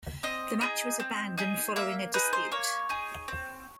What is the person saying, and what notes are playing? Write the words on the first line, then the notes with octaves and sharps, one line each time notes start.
The match was abandoned following a dispute.
C4 D#5
D#4 G#4
C4
D#4 G#4
A#3 E5
D#4 G#4 B4
C5
A#3 C#5
D#4 G#4
C4